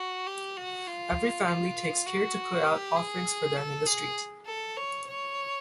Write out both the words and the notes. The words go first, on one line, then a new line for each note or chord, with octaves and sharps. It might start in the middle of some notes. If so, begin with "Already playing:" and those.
Every family takes care to put out offerings for them in the street.
Already playing: F#4
G4
F#4
F4
F4
F#4
G4
G#4
A4
G#4
A4
C#5
C#5